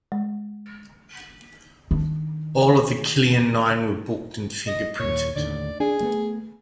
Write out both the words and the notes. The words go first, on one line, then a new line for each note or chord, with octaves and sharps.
All of the "Killian Nine" were booked and fingerprinted.
G#3
D#3 D4
D#5
D#2 A#2 C#5
D#2 A2 D3 D5
D4 G#4
G#3 A3 B3